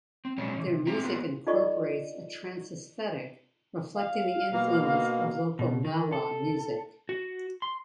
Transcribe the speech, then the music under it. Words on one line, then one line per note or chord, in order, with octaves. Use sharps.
Their music incorporates a trance aesthetic, reflecting the influence of local Gnawa music.
C4
B2 F3 F#3 G#3 C#4 D4
E3 C#4
C3
C4 G#4 E5 G5 A#5
A#3 B3 F4 B4
D#4 F4 A4 D5 D#5 C#6
F5
B2 A#3
B2
D#3
A4
F#4
C6